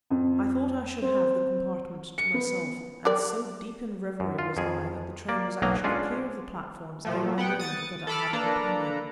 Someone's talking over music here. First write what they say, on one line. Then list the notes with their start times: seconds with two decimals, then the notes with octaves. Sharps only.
I thought I should have the compartment to myself, and so deep in reverie was I that the train was actually clear of the platforms ere I learned that I had a companion.
0.10 F2
1.02 C4
2.18 C#7
2.34 B3
3.05 G4 A#4 D5
4.20 F#2
4.39 F4
4.57 F2 G#4
5.29 A#3 D5
5.62 B1 F#3 A#3 D#5 A#5
5.84 G#3 C#4 D4 F4 G#4
7.05 A#2 F3 A3
7.38 B3 F#5 G5
7.59 D#6 A6 C#7
8.07 A4 A5 B5 D6 F6
8.33 A#3 D4 A4 B4 D5 A#5